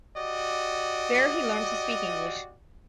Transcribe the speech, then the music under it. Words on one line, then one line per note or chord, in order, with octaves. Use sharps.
There he learned to speak English.
F#4 G4 D5 D#5